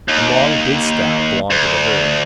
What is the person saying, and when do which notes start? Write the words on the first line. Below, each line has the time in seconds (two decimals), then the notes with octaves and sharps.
And long didst thou belong to the herd.
0.09 D#2
1.51 D2